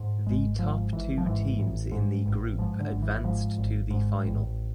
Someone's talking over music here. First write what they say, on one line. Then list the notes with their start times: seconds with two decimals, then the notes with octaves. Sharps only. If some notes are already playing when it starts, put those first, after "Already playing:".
The top two teams in the group advanced to the final.
Already playing: G#2
0.27 G#1 G#3
0.59 G#2 F3
0.93 G#1 E3
1.18 F3
1.26 G#2 E3
1.59 A1
1.92 G#2
2.26 A1
2.58 G#2 F3
2.80 D3
2.91 G#1
3.02 E3
3.24 G#2 F3
3.58 G#1
3.91 G#2
4.24 A1